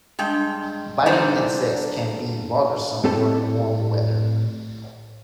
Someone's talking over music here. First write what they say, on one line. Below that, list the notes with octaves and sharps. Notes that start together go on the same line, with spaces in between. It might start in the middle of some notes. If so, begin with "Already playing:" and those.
Biting insects can be bothersome during warm weather.
G2 G#3 G5
E2 D3 G3 D#4 C5 D5
A2 C4 G4 A4 A5